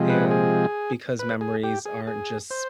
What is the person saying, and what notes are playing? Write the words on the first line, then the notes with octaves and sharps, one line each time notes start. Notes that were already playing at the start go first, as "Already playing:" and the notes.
and because memories aren't just
Already playing: C3 F3 G#3
B4
G#4
B4
G#4
G4
G#4
G#4
C5